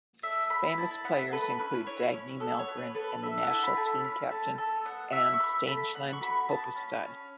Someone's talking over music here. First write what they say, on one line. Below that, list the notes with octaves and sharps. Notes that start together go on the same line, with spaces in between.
Famous players include Dagny Mellgren and the national team captain Ane Stangeland Horpestad.
A4 E5
B3 B5
E4 A5
A5
B3 F#5
E5
A4 B4
C#4 B4
E4 C#5
C#4
B3 A4
C#5
B3
B4
A4 B4
A4 E5
F#5
E4 A5
B5
A3 A5
C#4 B5
A3 A5
A4 A5
B3 F#5
E4 E5
C#6
B3 B5
A4 B5
B3 F#5
C#6
F#4 B5
B3 A5
C#4
C#4